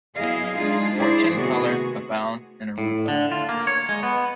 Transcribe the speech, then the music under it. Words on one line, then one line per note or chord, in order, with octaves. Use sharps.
Fortune tellers abound in Aruba.
F#3 B3 E4 G#4 D#5 F5
G#3 D4 D#4 F4 G#4
E4 G#4 C5 D5
C3 D#3 A3 B3 F#4 G#4
A2
D3
F4
A#3
C#5
G#3
B3